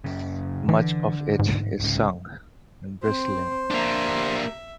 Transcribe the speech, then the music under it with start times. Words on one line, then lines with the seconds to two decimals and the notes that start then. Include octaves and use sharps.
Much of it is sung in Bristolian.
0.04 F#1 C#3
0.69 D3 E3
1.39 G#2
1.80 C2 C#3
3.02 C4 C5
3.71 A#3 D4 G4 E5 A#5